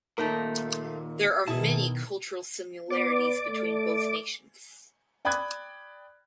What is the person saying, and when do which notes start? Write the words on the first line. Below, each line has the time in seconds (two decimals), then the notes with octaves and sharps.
There are many cultural similarities between both nations.
0.18 D#2 A#2 A3 D#4 A#4
1.48 B2 D#3 E4 G#4 A5
2.90 B3 D5 D6
3.47 A3
5.25 D5 G5 B5 D#6 F#6 G#6